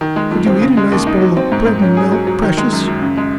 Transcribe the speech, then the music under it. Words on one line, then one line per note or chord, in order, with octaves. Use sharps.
"Could you eat a nice bowl of bread-and-milk, precious?"
D#3
G#3
F2
C4
C#3
G#3
D#2
D#4
F#3
C4
G#2
G#2
C#4
G#4
F#3
F#3
D#3
G#3
F#2
F#2
C#3
G#3